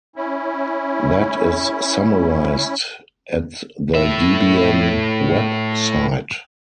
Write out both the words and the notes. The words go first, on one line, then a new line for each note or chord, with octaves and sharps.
That is summarized at the Debian web site.
C#4 E4
A2 E5